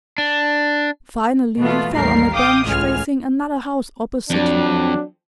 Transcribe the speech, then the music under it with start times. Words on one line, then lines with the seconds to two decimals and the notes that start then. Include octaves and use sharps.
Finally he fell on a bench facing another house opposite me.
0.18 D4
1.58 B2 E3 A3 B3 F4
1.93 A1 D#2 A2 G3 A#4 C7
2.33 F5 G5 D6 D#6 G6
2.65 C#2 A2 F4 G#5 F6
4.30 F2 F#3 D4